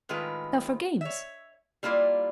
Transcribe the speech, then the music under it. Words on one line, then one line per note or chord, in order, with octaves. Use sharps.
Now for games!
A2 D#3 G#3 F4 B4
C#5 E5
G3 A#3 E4 F4 D5